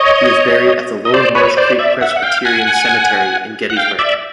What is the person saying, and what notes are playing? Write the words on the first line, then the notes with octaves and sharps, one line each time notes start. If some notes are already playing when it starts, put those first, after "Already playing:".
He is buried at the Lower Marsh Creek Presbyterian Cemetery in Gettysburg.
Already playing: C#5 D#5
D#5
C5 D5
B4 C#5
C5 D5
D5 E5
E5 F#5
F#5
F5 G5
F#5 G#5
F#5
F5 G5
D5 E5